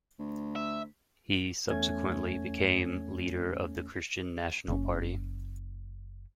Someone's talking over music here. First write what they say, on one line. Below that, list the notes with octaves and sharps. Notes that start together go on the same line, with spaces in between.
He subsequently became leader of the Christian National Party.
D2
E5
E2 A3 C#4 G#6
F#1 C#3 C#4